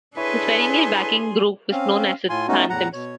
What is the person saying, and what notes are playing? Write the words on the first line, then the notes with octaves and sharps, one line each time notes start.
His perennial backing group was known as The Phantoms.
D4 E4 G#4 A4 B4 C#5 G#5 C6
C4 C#4 F5
A2 F4 G#5 C6
A3 B3 C#4 D#4 F#4
E2 A2 F#5 A#5
B2 C#5